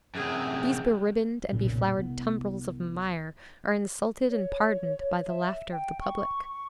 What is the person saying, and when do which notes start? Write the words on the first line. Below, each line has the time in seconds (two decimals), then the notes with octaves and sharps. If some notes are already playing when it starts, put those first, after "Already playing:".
These be-ribboned and be-flowered tumbrils of mire are insulted and pardoned by the laughter of the public.
0.15 F#2 C3 G#4
1.52 F1 B1 A#2 C#3
1.98 C2 B3
4.30 C#5
5.27 E5
5.72 G5
6.01 C#6
6.53 C#6